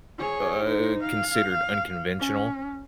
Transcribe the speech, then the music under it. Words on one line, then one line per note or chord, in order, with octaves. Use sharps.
uh, considered unconventional.
G#4 C#5
D#4 C5
F5
C#4